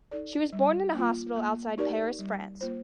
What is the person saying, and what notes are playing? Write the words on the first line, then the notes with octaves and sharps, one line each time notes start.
She was born in a hospital outside Paris, France.
D#4 A4 D5
G3
A#3 F4
A#3
D#4 G4 A#4 D5
G3
A#3 F4 C5